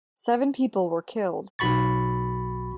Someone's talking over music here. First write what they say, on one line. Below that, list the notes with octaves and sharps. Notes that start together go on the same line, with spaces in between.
Seven people were killed.
B1 F#4 B5 C#6 A6